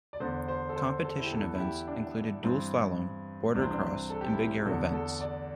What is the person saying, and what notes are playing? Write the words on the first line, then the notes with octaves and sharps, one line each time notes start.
Competition events included dual slalom, boarder cross and big air events.
D5
E2 D3 C5
C5
A4
C5
A4
E4
G4
E2 E3 A4
E4
G4
D4
G2 E3 C4
C2 C3 E3 D4
C4
D4
A4
G4
E4
G4
E2 D3 A4
A4
D5